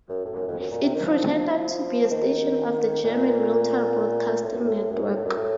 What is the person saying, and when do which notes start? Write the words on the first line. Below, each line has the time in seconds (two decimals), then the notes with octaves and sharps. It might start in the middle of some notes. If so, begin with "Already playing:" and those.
It pretended to be a station of the German military broadcasting network.
0.09 F#2
0.25 A2
0.36 F#2
0.48 F2
0.60 F#2
0.71 A#2
0.83 C3
0.95 D#3
1.06 F3
2.04 F3
2.11 D#3
3.04 A#2
4.44 A2
4.53 F#2
4.64 A2
4.90 F#2
5.02 A2
5.14 A2
5.25 F#2
5.37 A2